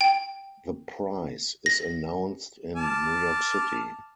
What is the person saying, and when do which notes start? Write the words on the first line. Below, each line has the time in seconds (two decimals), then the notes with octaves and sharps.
The prize is announced in New York City.
0.01 G5
1.66 A#6
2.76 A5 D6 F6